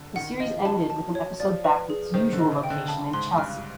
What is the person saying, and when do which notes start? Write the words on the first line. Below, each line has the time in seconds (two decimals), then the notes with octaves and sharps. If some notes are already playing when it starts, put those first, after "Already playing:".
The series ended with an episode back in its usual location in Chelsea.
Already playing: D3
0.16 D#3 F#5
0.40 F3 D#5
0.65 F#3 A5
0.90 A5
1.15 C#5
1.40 F3 D5
1.64 B4
1.90 G#4
2.14 D#3 C5
2.33 D3
2.39 D#5
2.52 C#3
2.64 G5
2.70 D3
2.88 C#3 A5
3.13 G#2 C6
3.38 G2 F6